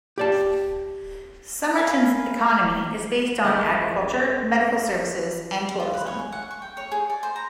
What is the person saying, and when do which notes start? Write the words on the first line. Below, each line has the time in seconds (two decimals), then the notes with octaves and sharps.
Somerton's economy is based on agriculture, medical services, and tourism.
0.18 G4 D5 A5
1.77 A#4 B4 F5 G#5
3.44 F#2 G#3 A3
5.80 F4
5.94 B4
6.07 C#5
6.19 G#4
6.32 F#5
6.51 C#6
6.62 G5
6.77 C#5
6.92 G#4
7.10 D5
7.23 C5
7.36 A#5